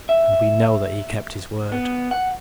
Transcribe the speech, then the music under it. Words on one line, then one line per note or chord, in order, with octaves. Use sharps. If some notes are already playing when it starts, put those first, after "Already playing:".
And we know that he kept his word.
E5
B3
F#5